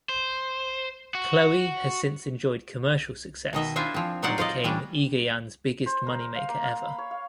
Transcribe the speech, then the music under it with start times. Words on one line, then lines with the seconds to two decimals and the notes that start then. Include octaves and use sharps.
"Chloe" has since enjoyed commercial success and became Egoyan's biggest moneymaker ever.
0.09 C5
1.15 F#4
3.53 B2 D#3 D#5 E5
3.76 D4 E4 F4 C5 E5 G#5
3.94 F3 C4
4.22 A#2 F#3 D#4 C5 D5 F#5
4.38 F4 C5 D5 D#5
4.64 E3 G3 C#4 D4
5.86 C5
6.06 A#4
6.20 A#4
6.35 F5
6.49 A#3
6.63 F5
6.84 B5
6.98 C#5
7.11 F5